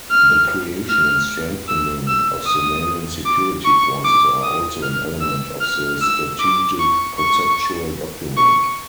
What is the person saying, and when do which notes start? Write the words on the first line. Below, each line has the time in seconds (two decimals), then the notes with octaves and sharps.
The creation and strengthening of Somalian security forces are also an element of the strategic conceptual document.
0.11 F6
0.89 F6
1.69 E6
2.08 E6
2.47 D#6
3.25 D6
3.65 C#6
4.05 D6
4.43 D#6
4.83 F6
5.21 E6
5.61 F6
6.01 E6
6.39 D6
6.79 C#6
7.18 C#6
8.37 C#6